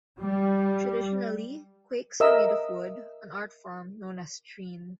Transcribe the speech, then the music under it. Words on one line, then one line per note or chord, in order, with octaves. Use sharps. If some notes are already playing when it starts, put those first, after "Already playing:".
Traditionally quaichs are made of wood, an artform known as "treen".
G3
A#4 D#5 E5 E6